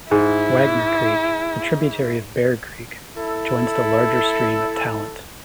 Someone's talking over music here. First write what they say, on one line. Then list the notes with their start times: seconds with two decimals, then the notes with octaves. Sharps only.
Wagner Creek, a tributary of Bear Creek, joins the larger stream at Talent.
0.11 G#2 E4
3.17 E4 A4